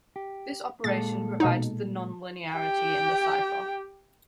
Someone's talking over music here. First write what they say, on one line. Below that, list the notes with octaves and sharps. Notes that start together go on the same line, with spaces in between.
This operation provides the non-linearity in the cipher.
G4
A#2 G#3 A4 A6
B2 D#4
G4 G5